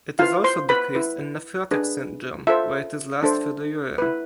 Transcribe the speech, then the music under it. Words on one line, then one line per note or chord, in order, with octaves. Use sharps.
It is also decreased in nephrotic syndrome, where it is lost through the urine.
E4 F4 B4 F5
C5 C6
B4 B5
E4 B4
D4 G#4 B4
F4 A4 C5 E5
D4 A4 C5
E4 B4